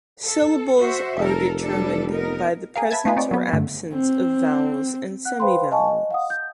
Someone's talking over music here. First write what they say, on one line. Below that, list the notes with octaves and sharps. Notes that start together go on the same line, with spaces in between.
Syllables are determined by the presence or absence of vowels and semi-vowels.
A4
F#4 C5 E5
F1 A4 A#4
G3 D4 A4
B3 D#4 A#4
G#4 A#4 F5
B4 E5 A5 G#6
A3 A#3 D#4 F4 G#4 B4
C4 D#4 C#5 D5
F#3 B3
G2 D3 A3
C4
F#5 F#6
B4 C5 F5 G5 B5 C6
D#5 F5 G#5 A5 C#6
D#5
F5 F#5 D#6
G6